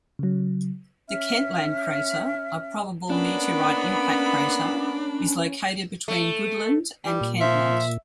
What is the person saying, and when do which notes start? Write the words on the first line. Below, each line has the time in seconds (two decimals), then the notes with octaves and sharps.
The Kentland crater, a probable meteorite impact crater, is located between Goodland and Kentland.
0.19 C#3 F#3
1.08 C#4 E5 F6
3.10 A#3 B3 C#4 D4 B5
6.08 A3
7.06 G3
7.21 A#2
7.41 F3 E5